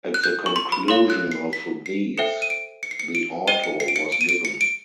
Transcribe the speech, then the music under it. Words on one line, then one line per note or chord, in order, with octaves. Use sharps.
At the conclusion of these, the auto was given.
F#6
G6
C#6
C6
B5
A4 C#5 F5 C6
F#6
C7
B6
C7
A4 C5 E5 G5 C#7
D#7
D7
C#7
C7
C#7
D7
C5 D#5 G5 D#7
C#7
C7
D7
C#7
D7
D#7
D7
C#7
D7